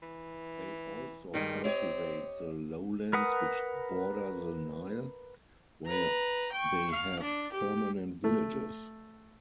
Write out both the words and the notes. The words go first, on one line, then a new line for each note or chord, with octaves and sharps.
They also cultivate the lowlands which border the Nile, where they have permanent villages.
E3
G2 D#3 G3 G#3
C4 G4 C#5 D#5
A#4 B4 F#5 D#6
B4 A#5
G5 C#6
F5
D4
G4
A3